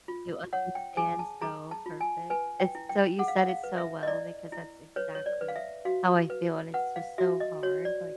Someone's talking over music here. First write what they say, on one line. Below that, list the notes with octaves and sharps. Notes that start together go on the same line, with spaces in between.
you understand so perfect. It's so you said it so well because that's exactly how I feel, and it's just so hard, like
F4
C#5 F#5
G5
G#4 G#5
A5
G#4 A#5
A5
F4
G#5
B4 G#5
G5
E4
G5
G#4 F#5
F5
F#5
F5
B4
E5
D#5
E4 D5
E4
B4 C#5
C#5
D5
B4
F5
E5
F#4 F5
B4
B4 F#5
F5
F#4 E5
D#5
F#4 C#5
D5